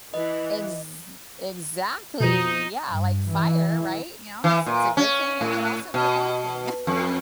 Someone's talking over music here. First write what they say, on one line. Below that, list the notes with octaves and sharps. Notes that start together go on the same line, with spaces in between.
Ex exactly, yeah, like fire, right, you know, it's it's a good thing, it could also be a bad thing,
E3 D#5
F2 B2 D#4
G2
E3
E3
A#2
C#4
A2
B2
F2